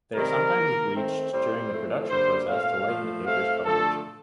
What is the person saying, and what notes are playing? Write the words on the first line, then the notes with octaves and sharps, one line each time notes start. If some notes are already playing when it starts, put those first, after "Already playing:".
They are sometimes bleached during the production process to lighten the paper's coloration.
C3 D#3 G3 C4 A#4
D#3 A#3
D#3 A3 C4
A2 G3 C4 C5
A2 F3 A3 C4
D3 G3 A#3 C5
A#2 A3 C4 F5
A#2 F3 A3
A2 A3 C4 F5
D3 F3 A3 A4